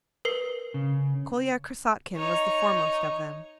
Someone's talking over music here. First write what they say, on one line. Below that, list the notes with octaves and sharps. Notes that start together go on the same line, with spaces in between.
Kolya Krassotkin was the foremost of them.
A#4 B4 C7
C#3
D#4 C#5